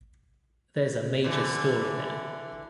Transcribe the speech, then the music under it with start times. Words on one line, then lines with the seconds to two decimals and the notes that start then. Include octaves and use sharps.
There's a major story there.
1.24 D3 E3